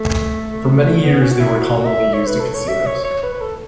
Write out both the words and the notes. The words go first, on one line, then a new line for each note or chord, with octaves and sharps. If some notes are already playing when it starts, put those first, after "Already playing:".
For many years, they were commonly used in casinos.
Already playing: A3
B3
C#4
F#4
E4
F#4
E5
C#5
B4
A4
C#5
E5
C#5
C#5
B4
B4
A4